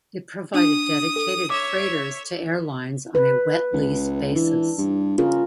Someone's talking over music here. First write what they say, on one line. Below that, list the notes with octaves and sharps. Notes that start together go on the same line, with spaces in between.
It provided dedicated freighters to airlines on a wet lease basis.
D4 D#6
A4
C#5 E5 D6
B4
C#2
E3 D4
G2
C#3 F4 G#4 A#4